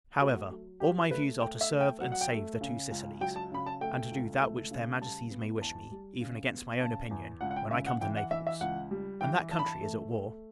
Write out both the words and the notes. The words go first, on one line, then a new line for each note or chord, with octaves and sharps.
However, all my views are to serve and save the Two Sicilies; and to do that which their Majesties may wish me, even against my own opinion, when I come to Naples, and that country is at war.
A3 F#4
F#3
F#3 G4
A3 B4
A3 G5
E5
A3
G5
F#3 F#5
F#5
G5
A3
C#3
C#2
F#3 G5
A5
C#3 B5
A5
A3 G5
C#2
A3
C#3
G3 A5
B3
E2 A5
G3
C#3
B3
C#3 A5
E2
C#2 F#5
F#5
G5
C#3 E5
F#5
E3 G5
F#5
E3 E5
E5
C#2 F#5
G3
E3 G5
E3 A5
B5
A5
A3
A3